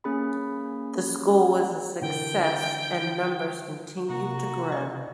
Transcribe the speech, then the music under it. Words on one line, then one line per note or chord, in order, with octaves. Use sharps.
The school was a success and numbers continued to grow.
A#3 C#4 G#4 B5
D3 E3 A#4 G5
C3 A#3 D#4 F#4
C#3 D5 D#5